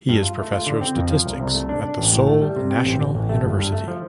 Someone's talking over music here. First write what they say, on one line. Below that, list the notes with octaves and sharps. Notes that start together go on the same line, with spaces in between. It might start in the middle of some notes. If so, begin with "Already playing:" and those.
He is Professor of Statistics at the Seoul National University.
G2
F4
A3
F4
D3
C4
F2
F3
C2
C2
A3
D4
D4
A1
A2
A3
G3
C3
C4
A1
A1
A1
A3
G1
G2
A3
F3